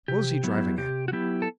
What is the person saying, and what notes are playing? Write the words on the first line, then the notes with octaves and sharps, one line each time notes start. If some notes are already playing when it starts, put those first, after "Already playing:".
What was he driving at?
C3 G4
F#3 B3 E4
C3 G4
F#4
F#3 B3 E4 G4
A4